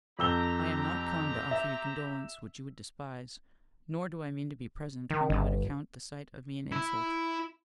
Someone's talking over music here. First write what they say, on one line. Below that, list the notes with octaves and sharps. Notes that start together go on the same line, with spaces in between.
I am not come to offer you condolence, which you would despise; nor do I mean to be present when you would account the sight of me an insult.
F2 C4 G4 A#5 E6 G7
E5
D#3
G1
E4